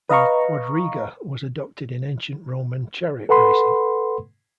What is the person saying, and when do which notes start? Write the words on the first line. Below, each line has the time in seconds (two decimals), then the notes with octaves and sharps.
The quadriga was adopted in ancient Roman chariot racing.
0.09 B4 D#5 F5 A#5 C#6
3.29 A4 B4 F#5 B5 C6